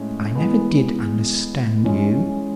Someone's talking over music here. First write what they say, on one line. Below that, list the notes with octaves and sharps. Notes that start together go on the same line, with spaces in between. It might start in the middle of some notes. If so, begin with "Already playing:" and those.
"I never did understand you."
Already playing: A2 G#3 C#4
E3 G#3 B3
E3 G#3 C#4 E4